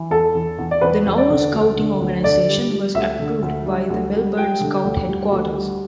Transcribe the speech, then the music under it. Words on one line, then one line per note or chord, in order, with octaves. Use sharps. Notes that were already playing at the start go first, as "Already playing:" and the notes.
The Nauru Scouting organisation was approved by the Melbourne Scout Headquarters.
Already playing: E3
E2 A4
E2
E2
D5
E2 B4
E2
D5
D3
D2
D3
D2
D3 D5
G3
G3
D2 E5
D3
D2
G3
D2
G3
G3 G5
D3
D2
G3
D2
G3